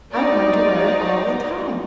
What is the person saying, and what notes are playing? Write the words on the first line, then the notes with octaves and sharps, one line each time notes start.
"I'm going to wear it all the time."
D#4 F#4 C5 D5